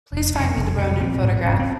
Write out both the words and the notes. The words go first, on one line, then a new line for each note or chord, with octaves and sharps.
Please find me the Rounin photograph.
F1
F2 C3
F1
F2 C3
A#1 C4
G#2
F1 C#4
C4